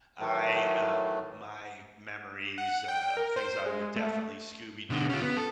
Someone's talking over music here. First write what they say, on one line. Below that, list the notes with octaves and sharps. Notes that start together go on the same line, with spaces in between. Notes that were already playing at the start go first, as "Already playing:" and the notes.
I, um my memories, uh, of things that I would definitely Scooby Doo
A2 D#3 E3 F#3 A3
F#5
G5
A#4
C5
G#3
A3
B2 D3
C#4 F4
B3
A4